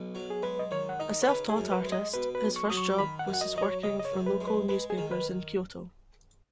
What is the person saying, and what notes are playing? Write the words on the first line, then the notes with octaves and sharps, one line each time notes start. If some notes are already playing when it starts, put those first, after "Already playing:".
A self-taught artist, his first job was as working for local newspapers in Kyoto.
Already playing: B1 B2
F#3
G#4
G#3 B4
D#5
D#3 C#5
F#5
D#4 D#5
C#5
C#3 B4
G#4
F#2
B4
G#3
D#5
B2 B4
B4
B1
C#6
F#3 D#6
C#6
D#3 B5
F#5
F#2
F#5
D#5
F#3 D#5
C#5
C#3 D#5
D#5
C#5
F#2
B4
G#3
B4
G#3 B4
G#4
D#3
B4